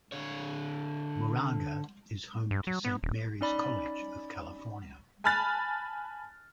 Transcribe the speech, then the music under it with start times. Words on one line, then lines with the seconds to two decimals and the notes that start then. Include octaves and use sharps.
Moraga is home to Saint Mary's College of California.
0.12 D3 C#5
2.51 G2
2.67 F#3
2.85 B3
3.03 D#1
3.41 C#4 D#4 D5 B5
5.24 G#5 A5 B5 F6 F#6 A6